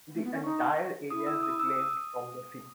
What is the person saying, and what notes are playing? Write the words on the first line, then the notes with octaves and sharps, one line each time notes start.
The entire area is reclaimed from the sea.
A3
B3
C#4
D#4 C#6
E4 D#6
E6
D#6
E6
D#6